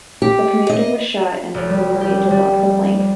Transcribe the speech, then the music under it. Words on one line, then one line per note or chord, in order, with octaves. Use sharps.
The commander was shot and the crew were made to walk the plank.
G4
D#5
F1
G3
G4
G3